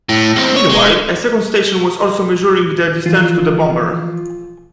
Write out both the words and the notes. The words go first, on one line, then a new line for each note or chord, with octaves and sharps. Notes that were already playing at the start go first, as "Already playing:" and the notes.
Meanwhile, a second station was also measuring the distance to the bomber.
A2
E2 C4
C#5
G#3
E3 F3 F4